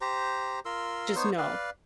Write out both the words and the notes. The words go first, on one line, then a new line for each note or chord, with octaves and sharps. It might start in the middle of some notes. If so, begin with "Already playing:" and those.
Just, no.
G4 C5 A#5
F4 A#4 C6 E6
B3 D#4 C5 C#5
B4 D5 F5